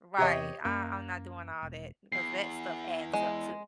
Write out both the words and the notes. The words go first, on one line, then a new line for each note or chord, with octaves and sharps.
Right. I I'm not doing all that because that stuff adds up too.
E2 C3 G4 C#5 D#5
F#2 A#3 C#4
E1
E2 C7
G#3